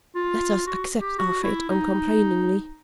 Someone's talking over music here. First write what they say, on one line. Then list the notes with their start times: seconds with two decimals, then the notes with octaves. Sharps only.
Let us accept our fate uncomplainingly.
0.15 F4
0.67 F#4
1.01 G4
1.19 F#4
1.44 E4
1.70 D#4